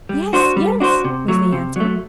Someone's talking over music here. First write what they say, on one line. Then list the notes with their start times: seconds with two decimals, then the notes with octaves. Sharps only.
"Yes, yes," was the answer.
0.09 G3
0.33 D4 F#4 C5
0.57 G3
0.80 D4 F#4 C5
1.05 C3
1.28 F#3 A3
1.52 C3
1.76 F#3 A3